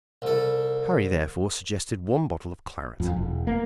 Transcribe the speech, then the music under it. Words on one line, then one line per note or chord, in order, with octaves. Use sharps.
Harry therefore suggested one bottle of claret.
C2 A4
F2
E1
A#3